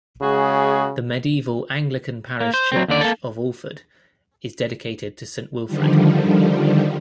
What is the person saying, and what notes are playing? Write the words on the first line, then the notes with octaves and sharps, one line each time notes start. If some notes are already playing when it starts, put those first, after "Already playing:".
The medieval Anglican parish church of Alford is dedicated to Saint Wilfrid.
C#3 G#3 F#4 G#4
A#3
C5
F#3 C4
D#2 D3 D5
A#3 A4
D3 D#3 F3 G3